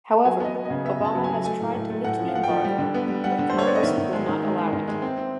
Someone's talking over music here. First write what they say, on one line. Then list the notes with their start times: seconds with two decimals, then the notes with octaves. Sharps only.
However, Obama has tried to lift the embargo, but congress will not allow it.
0.25 F#3 G#5
0.40 B3 D#5
0.55 B3
0.65 C#3 D#5
0.85 B3 E5
1.00 C#3 A5
1.15 F#3
1.24 G#5
1.30 F#3
1.44 A3 G#5
1.60 A2
1.74 A2
1.90 A3
2.04 A2 F#5
2.19 F3
2.28 F5
2.34 F3 F#5
2.43 G5
2.49 F3
2.64 G3
2.78 D3
2.94 B3
3.08 G3
3.24 G3 F#5
3.38 D3
3.50 C5
3.53 G3
3.59 C#5
3.67 B3 D5
3.75 D#5
3.83 D#3 E5
3.98 D#3
4.13 G#3
4.29 D#3
4.42 G#3
4.58 G#3
4.73 D#3
4.88 G#3
5.02 C4
5.18 C4